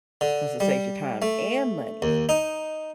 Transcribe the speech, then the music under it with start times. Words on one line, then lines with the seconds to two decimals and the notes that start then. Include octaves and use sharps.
'Cause it saves you time and money.
0.21 D3
0.60 G3
1.22 A3
2.02 D#2
2.29 D#4